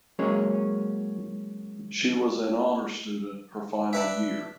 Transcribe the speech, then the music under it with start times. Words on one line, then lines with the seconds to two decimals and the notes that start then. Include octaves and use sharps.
She was an Honor Student her final year.
0.19 C#3 F#3 G#3 A#3 C#4
3.93 D4 B4 E5